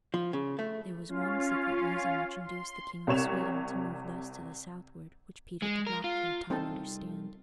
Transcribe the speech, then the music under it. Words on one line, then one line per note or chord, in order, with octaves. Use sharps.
There was one secret reason which induced the King of Sweden to move thus to the southward which Peter did not for a time understand.
F3
C#3
A3
C#4 F4 F5
C6
C2 C3 C#5 E7 F7
G#3
A#4
F4
C2 C4 D#4 A4 A5